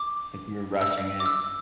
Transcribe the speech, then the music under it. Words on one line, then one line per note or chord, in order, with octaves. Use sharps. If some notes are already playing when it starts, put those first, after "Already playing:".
Like, we were rushing it.
Already playing: D6
E6
D6
E6